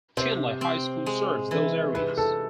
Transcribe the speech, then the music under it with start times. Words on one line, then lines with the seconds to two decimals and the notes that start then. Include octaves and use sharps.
Chinle High School serves those areas.
0.17 C3 C5
0.61 C4
1.06 G#3
1.51 E3
1.94 C3 B4
2.17 A4